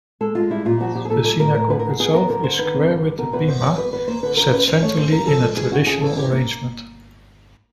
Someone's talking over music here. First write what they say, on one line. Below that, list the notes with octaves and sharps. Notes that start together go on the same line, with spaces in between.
The Synagogue itself is square with the Bimah set centrally in a traditional arrangement.
G#3 A4
G#3 F4
G3 E4
A#2 F4
F3 F#4
F3 G4
G#4
A#2 A4
G3 A4
A2 A#4
A2 A#4
D3 B4
A#4
D3 G#4
B3 G#4
B3 A#4
D3 A#4
D3 C5
D#3 B4
C4
D3
G3
B2 A#4
E2 B4
B3 C5
G3 C#5
E2 B4
E2 B4
A#3 C5
D3 B4
C#3 A#4
C#4 B4
C#3 C5
A3 C#5
C#3 C5
C#3 A#4
F3 A4
G#3 A4
E3 G#4
C#3 F#4
C#3 G#4
E3 A4
C#4 G4
A#3